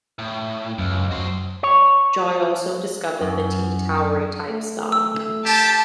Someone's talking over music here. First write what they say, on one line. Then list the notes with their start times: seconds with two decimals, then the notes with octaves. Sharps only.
Joy also discovered the T-Tauri type star.
0.19 A2
0.78 C#2 F#2
1.11 F#2 F#4 C5
1.63 C#5
3.21 F#2
4.49 A3
4.92 E6
5.46 G4 A5